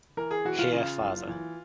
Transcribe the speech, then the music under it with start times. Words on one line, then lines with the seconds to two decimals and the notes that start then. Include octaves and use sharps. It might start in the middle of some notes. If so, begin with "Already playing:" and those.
Here Fr.
0.17 E3 A#4
0.31 G#4
0.45 E3 F#4
0.59 F4
0.72 C#3 F4
1.01 F#1
1.28 E3